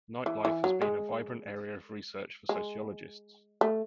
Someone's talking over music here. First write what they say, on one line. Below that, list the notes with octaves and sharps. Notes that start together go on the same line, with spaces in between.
Nightlife has been a vibrant area of research for sociologists.
E3
E3
F#3
G#3
G#3
A3